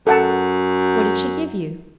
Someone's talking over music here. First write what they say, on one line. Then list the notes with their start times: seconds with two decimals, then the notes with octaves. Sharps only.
'What did she give you?'
0.07 F#2 A4 F#5 A5